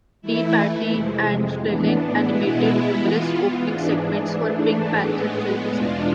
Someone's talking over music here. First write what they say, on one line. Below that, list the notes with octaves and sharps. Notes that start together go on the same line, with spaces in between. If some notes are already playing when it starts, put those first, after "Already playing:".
DePatie and Freleng animated numerous opening segments for Pink Panther films.
E3 A3 E4
F2 C3 G#3
A2 E3 B3 D4
B2 G#3 B3 E4
E3 B3 F4
G#2 E3 G#3 D4
G#2 E3 A3 D4
A2 G#3 B3
E2 B2 G#3 D4 F4